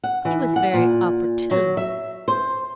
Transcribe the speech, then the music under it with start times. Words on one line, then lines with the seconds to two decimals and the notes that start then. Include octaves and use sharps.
He was very opportune.
0.04 F#5
0.25 E3
0.56 F#5
0.74 A#2
1.51 F#3
1.77 E5
2.28 C5